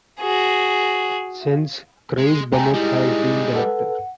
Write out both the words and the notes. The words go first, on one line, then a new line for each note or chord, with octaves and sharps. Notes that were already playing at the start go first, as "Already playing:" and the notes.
Since Craig Bennett has been director.
F#4 G#4
G#3
G#3 A3 G5 G#5 A#5
G3 G#3 D#4 E4 G4
A4 B4 F#5